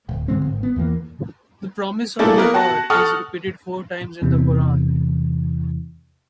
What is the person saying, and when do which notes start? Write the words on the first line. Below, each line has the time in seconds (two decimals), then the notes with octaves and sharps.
The promise of reward is repeated four times in the Coran.
0.09 D1
0.28 G2 D3 G#3 C4
0.45 G#1
0.63 B3
0.76 E2 E3 A#3
2.19 A3 A#3 D4 E4 G#4 A4
2.37 A#3 B3 A#4
2.54 F#4 F#5 A5 A#6
2.90 A4 F#5 C#6 D#6 F6
4.22 E2 C3 E3